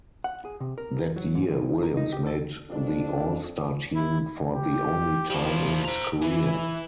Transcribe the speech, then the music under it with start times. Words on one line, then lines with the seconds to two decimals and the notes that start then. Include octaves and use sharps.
That year, Williams made the All-Star team for the only time in his career.
0.24 F#5
0.45 G#4
0.60 C3
0.78 A#4
1.16 F#3
1.35 G#2
1.49 D#2
1.83 A#4
1.97 D#4
2.12 G4
2.27 A4
2.69 F2 D4
3.95 E4
4.54 G4
5.30 F3 G3 E4
5.85 C5 A#5
6.22 E3 E4